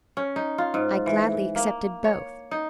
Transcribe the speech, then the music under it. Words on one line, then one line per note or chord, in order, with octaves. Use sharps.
I gladly accepted both.
C#4
D#4
F4
G#2
E3
A#3
C#5
D#4